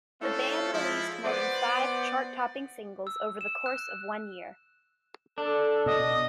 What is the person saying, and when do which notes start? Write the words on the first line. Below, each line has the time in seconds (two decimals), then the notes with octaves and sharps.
The band released more than five chart-topping singles over the course of one year.
0.22 A3 C4 C#4 E4 F4 A4
0.74 F3 G#3 E4
1.25 B3 C5 D5
3.07 E6
3.41 E7
3.66 F#6
5.38 D4 A4
5.86 B2 D#5